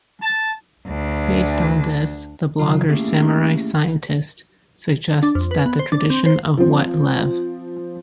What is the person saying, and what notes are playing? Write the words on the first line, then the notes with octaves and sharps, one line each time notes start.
Based on this, the blogger "Samurai Scientist" suggests that the tradition of what Lev.
A5
D2 D4
C#3 F#3 F4
A3 A#3 C#4 E4 G4 G#4
D4
F2
B4
B3
C5
D4
C4
C5
F3 C4